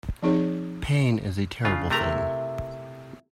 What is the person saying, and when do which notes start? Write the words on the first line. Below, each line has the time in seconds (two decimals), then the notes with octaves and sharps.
Pain is a terrible thing.
0.23 F3 C4 D#4 G#4 C#5
1.65 C#3 D4 F4
1.90 C3 A3 E4 A#4 A#5